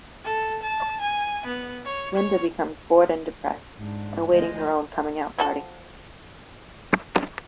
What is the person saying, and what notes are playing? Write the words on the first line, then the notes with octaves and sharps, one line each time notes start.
Linda becomes bored and depressed, awaiting her own coming-out party.
A4
A5
G#5
B3
C#5
C#5
G#2 D4
D2 F3 G#3 D#5
F3 F#4 A4